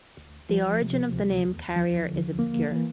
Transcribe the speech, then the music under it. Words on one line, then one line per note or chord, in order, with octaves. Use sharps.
The origin of the name "Carrier" is obscure.
D2
F3
C3
D2
E2
F3
D3
A#3
E3